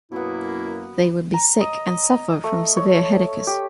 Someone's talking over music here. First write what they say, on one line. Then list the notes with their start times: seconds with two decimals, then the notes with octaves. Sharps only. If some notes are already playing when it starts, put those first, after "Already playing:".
They would be sick and suffer from severe headaches.
0.12 F#2 B2 F#3 A#3 B3 E4
1.34 A#5
1.61 D#5
1.88 D#5
2.44 A3
2.77 C#5
3.47 G4